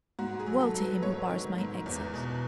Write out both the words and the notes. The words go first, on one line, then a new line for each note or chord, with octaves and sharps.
Woe to him who bars my exit!
G#2 F#4
G#4
F#3
A4
F#3
B4
G#2 C#5
D#3
G#2
E2
B2